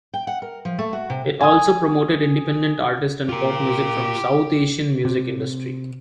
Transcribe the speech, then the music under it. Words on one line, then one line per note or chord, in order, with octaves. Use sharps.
It also promoted independent artist and pop music from south-Asian music Industry.
G5
F#5
A#4
F3
A3
F#4
C3
G#5 D#6
F4 G4 A#4
C3